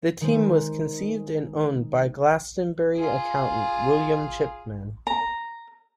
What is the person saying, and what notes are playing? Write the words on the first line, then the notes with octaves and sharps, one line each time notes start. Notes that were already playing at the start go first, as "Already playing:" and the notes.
The team was conceived and owned by Glastonbury accountant William Chipman.
D#3 G#3 C5
F4 G#4
A#5